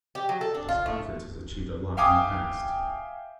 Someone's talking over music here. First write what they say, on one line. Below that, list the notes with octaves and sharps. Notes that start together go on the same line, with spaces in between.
This Conference has achieved a lot in the past.
G4
F#3
A4
D4
F4
A3
E5 F5 G5 G#5 D6 D#6